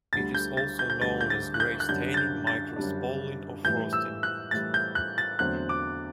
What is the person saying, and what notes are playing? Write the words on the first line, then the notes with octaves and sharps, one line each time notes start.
It is also known as grey staining, micro spalling or frosting.
D2 D3 G3 A6
G6
A6
G6
G6
D2 D3 G3 A6
G6
A6
F#6
G6
F#6
F#2 D3 G3 D4 G6
A6
G6
A6
F#2 D3 G3 D4
A2 E3 G3 G6
E6
F#6
A2 E3 G3 A6
G6
F#6
A6
E2 D3 F#3 A3 C4 F#6
D6